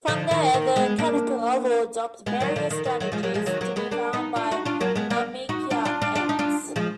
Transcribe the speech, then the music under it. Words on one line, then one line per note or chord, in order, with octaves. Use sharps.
From there the caterpillar will adopt various strategies to be found by "Myrmica" ants.
D3 F3
D#3
D#3
G#3 B3
A#3 D4
G#3 B3
D#3 F#3
D3 F3
D#3
D#3
D#3 F#3
F3 G#3
F#3 A#3
F3 G#3
D#3 F#3
F#3 A#3
G#3 B3
A#3 D4
B3 D#4
D4 F4
D#4 F#4
D4 F4
F#3 A#3
G#3 B3
A#3 D4
D#4 F#4
D4 F4
D4 F4
D4 F4
D4 F4
D#4
D4 F4
F3 G#3